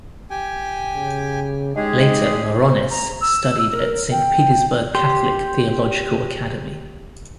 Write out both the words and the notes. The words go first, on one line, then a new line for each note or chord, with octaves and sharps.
Later Maironis studied at Saint Petersburg Catholic Theological Academy.
G4 G5 G#5
C#3
G#3 D#4 G4 G#4
C5
A#5
E6
A#4
G5
G4 C6